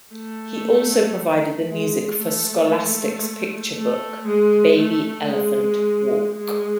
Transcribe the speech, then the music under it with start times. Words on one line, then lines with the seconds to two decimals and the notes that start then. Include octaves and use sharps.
He also provided the music for Scholastic's picture book 'Baby Elephant Walk'.
0.14 A3
1.68 G#3
2.21 A3
3.76 A3
4.27 G#3
4.79 A3
5.31 G#3
6.35 G#3